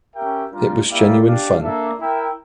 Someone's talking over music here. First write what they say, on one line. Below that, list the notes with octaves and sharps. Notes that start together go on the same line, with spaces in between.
It was genuine fun.
C#4 G4 A#4 E5 G5
G3 D4 F4 A#4
A#3 E4 G4 D5 F5
D4 G4 D5 F5
A#3 D4 A4 E5
E4 A#4 E5 G5